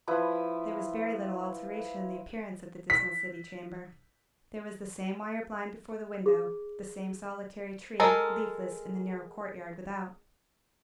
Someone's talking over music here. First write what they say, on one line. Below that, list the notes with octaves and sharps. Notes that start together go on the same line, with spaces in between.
There was very little alteration in the appearance of the dismal city chamber. There was the same wire-blind before the window, the same solitary tree, leafless, in the narrow courtyard without.
F3 E4 B4 D#6
B6
G#4
G#3 A4 A#4